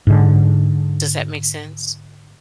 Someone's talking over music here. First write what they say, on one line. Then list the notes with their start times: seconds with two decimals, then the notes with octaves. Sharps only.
Does that make sense?
0.07 G#2 D3